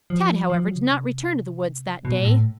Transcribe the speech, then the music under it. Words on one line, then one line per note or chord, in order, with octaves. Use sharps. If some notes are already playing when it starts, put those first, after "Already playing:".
Tad, however, did not return to the woods that day.
F3
F3
F#3
C#3
C3
B2
A#2
A2